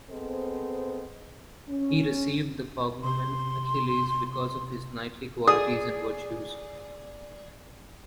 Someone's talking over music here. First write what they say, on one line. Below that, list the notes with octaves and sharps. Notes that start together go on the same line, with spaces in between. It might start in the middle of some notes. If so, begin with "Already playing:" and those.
He received the cognomen Achilles because of his knightly qualities and virtues.
B3 C4 G#4 A4 C5 D#5
C#4
C3 C6
G#4 D5 D#6